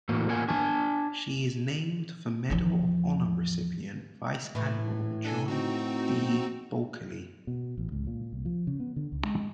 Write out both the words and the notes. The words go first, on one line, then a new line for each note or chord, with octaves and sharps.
She is named for Medal of Honor recipient Vice Admiral John D. Bulkeley.
A2 E3 A#3 F#4
A#3 F4 A#4 F#5 G#5
D4 G#5 A5
E2 F3
A2 E3
D4 A4 G#5
C4 D#4 F#4
B2
A1
C#2
A#2
C2
F3
C#3
B3
D3
C#2
G#3